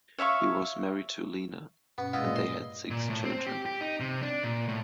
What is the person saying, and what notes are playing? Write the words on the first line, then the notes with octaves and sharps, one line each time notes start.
He was married to Lena, and they had six children.
C#5 E5 F5 C#6
G2 B2 B3 C#4
A#2 G#3 B3 E4 F4 B4 D#5
C6
A#2
A2
C4
G4
G4
D#4
C3
D4
A#2
A2